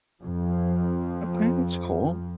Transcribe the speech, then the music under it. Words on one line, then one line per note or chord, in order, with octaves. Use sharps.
Okay, that's cool.
F2 F3